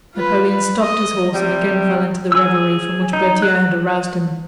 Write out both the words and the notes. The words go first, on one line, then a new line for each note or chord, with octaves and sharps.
Napoleon stopped his horse and again fell into the reverie from which Berthier had aroused him.
F4 B4
B4
D#5
C3 G3
G#4 E6
D#4
F#6